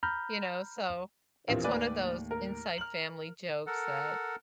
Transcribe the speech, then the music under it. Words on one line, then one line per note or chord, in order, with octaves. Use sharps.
You know? So, it's one of those inside family jokes that
A#5 B5 F6 G6
A#1 E2 A#2 A#3 C4 G4
D#2 A2 B4 D5 G#5
A#4
F6 F#7
A4 A#4 F#5